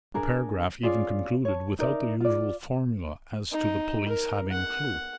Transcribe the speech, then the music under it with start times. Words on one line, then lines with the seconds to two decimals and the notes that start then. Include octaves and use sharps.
The paragraph even concluded without the usual formula as to the police having a clew.
0.14 D4 G#4 A#4
0.83 C#4 F4 G#4 D5
1.45 C#5 A5
1.79 D#4 A#4 D5 E5
2.20 F4 D5
3.52 D#4
4.09 A#4
4.51 F#5